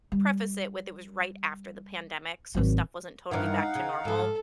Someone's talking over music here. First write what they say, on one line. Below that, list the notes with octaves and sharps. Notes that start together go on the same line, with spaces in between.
preface it with it was right after the pandemic, so stuff wasn't totally back to normal.
G3
G#1 F#3
G2 D#3 E3 D#4 F5 F#5
C#3
G#2 F3 A4